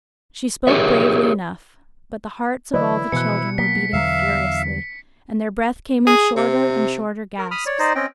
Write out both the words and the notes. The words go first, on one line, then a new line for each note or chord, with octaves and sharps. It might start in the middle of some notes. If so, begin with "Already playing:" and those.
She spoke bravely enough, but the hearts of all the children were beating furiously, and their breath came in shorter and shorter gasps.
G4 G#4 A#4 C#5 E5
D3 E3 F#3 E4 B4 D5 D#5
B2 E3 F3 F#6 C#7
F#3 A#3 B3 B6
E2 D3 F#3 E5 F5
G#4
C3
A#4
B5 D#6 F6
C#5 D5
D#4 C5 D5 D#5
C4 C#4 D#5 G5